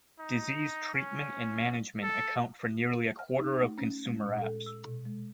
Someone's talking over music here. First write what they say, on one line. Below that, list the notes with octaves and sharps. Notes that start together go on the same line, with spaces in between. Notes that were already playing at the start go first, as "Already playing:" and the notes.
Disease treatment and management account for nearly a quarter of consumer apps.
D#4
C#4
A4
F6
D#4
A3
C#4
G#3
A#2
A4
E6
B2
G#3